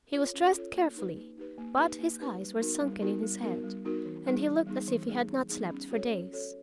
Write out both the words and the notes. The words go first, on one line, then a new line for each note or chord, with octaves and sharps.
He was dressed carefully, but his eyes were sunken in his head, and he looked as if he had not slept for days.
F4 A4 C#5
C#4
F4 A4 C#5
A#3
D#4 G4 B4
A#3
D#4 G4 B4
A#3
D#4 G4 B4
A#3
D#4 G4 B4
G3
B3 D#4 F#4 A#4
G3
B3 D#4 F#4 A#4
G3
B3 D#4 F#4 A#4
G3
B3 D#4 F#4 A#4
E3
G3 B3 D#4 G#4
E3
G3 B3 D#4 G#4
E3
G3 B3 D#4 G#4
E3
G3 B3 D#4 G#4
C#4
F#4 A4 C#5
C#4
F#4 A4 C#5